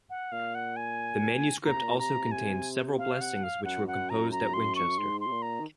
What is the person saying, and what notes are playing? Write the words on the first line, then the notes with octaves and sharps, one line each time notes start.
The manuscript also contains several blessings which were composed at Winchester.
F#5
A#2 F5
F#5
G#5
A#2 A#5
C3
A#2
C3 A#5
G#5
F5
F#5
F5
F#2 F#5
F#5
A#5
A#5
C6
F2 C#6
F#2
G#2 C6
C6
C3
A#2
A#5
D#3